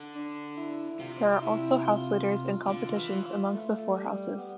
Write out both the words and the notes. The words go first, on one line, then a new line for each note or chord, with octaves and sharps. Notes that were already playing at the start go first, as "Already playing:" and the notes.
There are also house leaders and competitions amongst the four houses.
Already playing: D3
D4
E4
C3 F4
E4
F4
D3
E3
A3
G3
B3